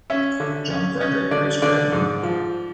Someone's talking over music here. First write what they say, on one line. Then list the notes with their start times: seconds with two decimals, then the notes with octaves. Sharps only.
John Frederick Bruce Gretton.
0.10 C#4 E5
0.40 D3
0.70 C#4
1.01 C#4 D#5
1.31 D3 D5
1.62 D3 D5
1.92 G#2
2.23 F3